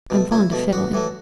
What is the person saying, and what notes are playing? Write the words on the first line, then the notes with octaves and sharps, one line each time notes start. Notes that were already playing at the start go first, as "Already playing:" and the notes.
I'm fond o' fiddling.
B2 A3
C#2 E4
B2 A3
A1 F#4
A2 E3 A3